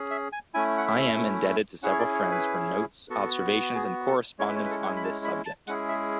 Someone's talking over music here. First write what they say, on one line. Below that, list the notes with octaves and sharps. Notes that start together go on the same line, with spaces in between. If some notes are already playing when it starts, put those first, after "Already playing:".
I am indebted to several friends for notes, observations, and correspondence on this subject.
Already playing: C#4 G#4
E5
G#5
A3 C#4 E4 G#5
F#5
E5
C#4 E4 G#4 F#5
C#5
D5
C#5
B4
B3 F#4 A4
G#4
A4
G#3 C#4 E4 C#5
B4
C#5
B4
A4
F#5
G#5
B5
A5
B5
A5
G#3 C#4 E4 G#4 F#5
E5